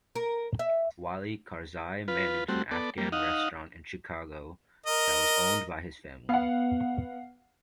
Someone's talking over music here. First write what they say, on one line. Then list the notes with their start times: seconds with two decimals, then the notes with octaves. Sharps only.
Wali Karzai managed an Afghan restaurant in Chicago that was owned by his family.
0.15 A#4
0.59 E5
2.08 F4 B4
2.48 G3 A3 C4 F#4
2.71 B3 A4 D5
2.98 G3 A#3
3.12 D#4 D#5 F5 F#5
4.86 A#4 D#5
6.29 B3 F5 F#5